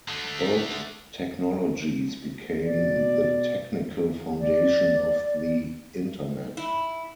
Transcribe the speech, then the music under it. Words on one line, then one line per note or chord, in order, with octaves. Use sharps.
Both technologies became the technical foundation of the Internet.
D3 A3
B2 D5
D5
E4